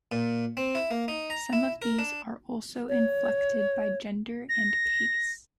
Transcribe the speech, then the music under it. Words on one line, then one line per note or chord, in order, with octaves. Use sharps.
Some of these are also inflected by gender and case.
A#2
C4
E4
A#3
D#4
A#5
E4
A#4
D4
C#5
A#6